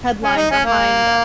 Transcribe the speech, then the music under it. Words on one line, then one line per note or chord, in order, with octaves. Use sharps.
headline behind
C#4
D#4
C#4
A#3